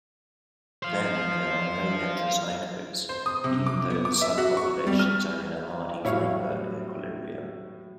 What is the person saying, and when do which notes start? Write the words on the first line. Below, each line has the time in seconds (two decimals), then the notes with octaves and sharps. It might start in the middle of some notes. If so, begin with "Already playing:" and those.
Then, there are no heterozygotes, even though the subpopulations are in a Hardy-Weinberg equilibrium.
0.83 C5 F5
3.09 C5
3.26 D#6
3.44 C3
3.66 D6
3.90 B3
4.05 D6
4.21 E5
4.38 F#4
4.57 C#6
4.87 G3
4.99 F6
6.05 A2 F#3 G3 E4 C#5 F5